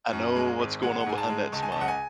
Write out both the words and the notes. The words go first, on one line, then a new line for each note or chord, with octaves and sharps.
I know what's going on behind that smile.
F#2
G#3
G#1
G#3 F#5
F#5
G#2 G#5
A5
G#3
C#2 A5
G#5
C#2 A5
F#5
G#5